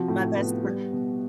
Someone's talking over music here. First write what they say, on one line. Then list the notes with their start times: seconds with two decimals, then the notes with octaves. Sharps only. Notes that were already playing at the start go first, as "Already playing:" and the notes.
My best friend
Already playing: C3 F3 F#4
0.08 A2
0.37 B3
0.64 G3
0.93 B2